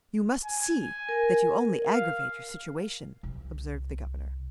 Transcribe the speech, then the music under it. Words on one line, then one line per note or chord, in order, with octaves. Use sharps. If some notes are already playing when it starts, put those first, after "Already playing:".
"You must see that you only aggravate your situation," observed the governor.
G#5
A#4
F5
C2